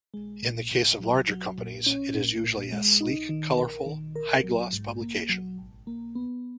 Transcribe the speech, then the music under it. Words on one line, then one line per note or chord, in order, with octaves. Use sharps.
In the case of larger companies, it is usually a sleek, colorful, high-gloss publication.
G#3
A#2
A#2
F#3
F#3
A#2
C#4
A#2
A#2
G#3
D#4
D#3
A#4
D#3
A#4
F#3
G#2
A#3
F#3
G#1
A#3
B3